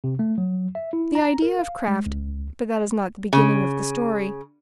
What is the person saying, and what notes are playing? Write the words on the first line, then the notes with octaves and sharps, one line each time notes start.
The idea of Kraft--but that is not the beginning of the story.
C3
A3
F#3
E5
E4
A#5
A#4
F5
G#3
C#2
C#3